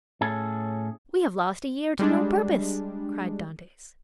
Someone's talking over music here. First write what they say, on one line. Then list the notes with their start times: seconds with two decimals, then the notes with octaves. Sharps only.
"We have lost a year to no purpose!" cried Dantes.
0.21 A2 C#4 G#4 A4
1.99 G3 G#3 D4